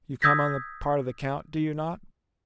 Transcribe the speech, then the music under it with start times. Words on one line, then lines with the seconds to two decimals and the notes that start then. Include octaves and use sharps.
"You come on the part of the count, do you not?"
0.22 D#6 E6 G6 G#6 A#6 B6